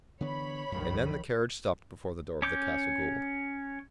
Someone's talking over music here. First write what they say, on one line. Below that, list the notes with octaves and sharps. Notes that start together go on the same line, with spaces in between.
And then the carriage stopped before the door of the Casa Gould.
D3 E3 B3 C#5 B5
C2 F#2 D#3 F3
C#4 D6 G6